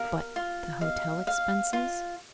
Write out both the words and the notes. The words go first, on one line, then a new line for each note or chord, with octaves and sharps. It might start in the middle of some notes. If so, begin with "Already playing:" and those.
"But the hotel expenses?"
Already playing: A#4 F5
F4
D#5 F5
F5
F4